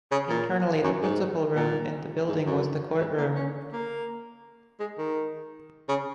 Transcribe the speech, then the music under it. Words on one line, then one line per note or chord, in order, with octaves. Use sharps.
Internally the principal room in the building was the courtroom.
C#3
A#2
F#2
G#2
A#2
G#2
F#2
G#2
A#3
C#4
A#3
G#3
D#3
C#3